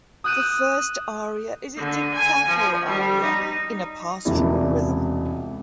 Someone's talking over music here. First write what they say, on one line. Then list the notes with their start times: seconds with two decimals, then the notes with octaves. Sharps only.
The first aria is a da capo aria in a pastoral rhythm.
0.24 D#6 E6 F#6 G6 D#7 E7
1.77 D3
2.14 G#5
2.48 F3
2.85 G3
3.22 D#4
4.25 E1 C#2 C3 E4 D5